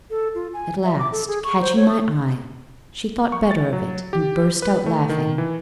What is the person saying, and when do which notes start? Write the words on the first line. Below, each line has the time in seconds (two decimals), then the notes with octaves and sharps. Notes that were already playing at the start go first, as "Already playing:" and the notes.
At last, catching my eye, she thought better of it, and burst out laughing.
0.10 A4
0.35 F4
0.54 G#5
0.84 E5
0.99 D6
1.12 A4
1.27 G#4
1.44 C#6
1.61 C5
1.76 C#5
1.89 D#6
3.32 C#6
3.51 A6
3.73 F#3
4.13 G4
4.62 B4
4.86 A3
5.09 D#3
5.38 E3